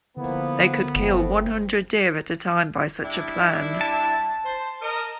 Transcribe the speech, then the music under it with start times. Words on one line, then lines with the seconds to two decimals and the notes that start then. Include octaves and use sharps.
They could kill one hundred deer at a time by such a plan.
0.17 D3 F3 A#3 B3 E4
0.96 G1 F3 A3 C4
3.03 G3 D4 E4
3.81 A5
4.45 C5
4.82 A#4 D#5